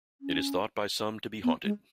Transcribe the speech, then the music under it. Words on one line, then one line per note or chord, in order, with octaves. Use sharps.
It is thought by some to be haunted.
C#4
B3
G#3